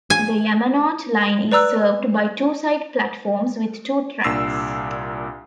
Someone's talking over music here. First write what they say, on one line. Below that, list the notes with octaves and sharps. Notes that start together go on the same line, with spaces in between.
The Yamanote Line is served by two side platforms with two tracks.
G#5
B4 D5 A#5 E6 F#6
C2 A#2 D4 E6 C7